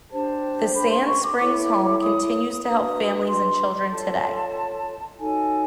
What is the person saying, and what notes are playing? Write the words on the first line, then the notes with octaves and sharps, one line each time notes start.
The Sand Springs Home continues to help families and children today.
D4 G4 C5 A5
B5
C6
C#6
D6
E4 A4 C#5 D6
D#6
D4 F#4 B4 D#6
C6
F4 A4 C#5 A5
D#4 F#4 A4 C#5 G#5